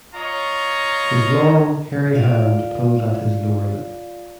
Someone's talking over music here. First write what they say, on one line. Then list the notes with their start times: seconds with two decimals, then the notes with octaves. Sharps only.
His long hairy hand pulled at his lower lip.
0.14 F4 C#5 D#5 A#5
2.14 F4 D5 F5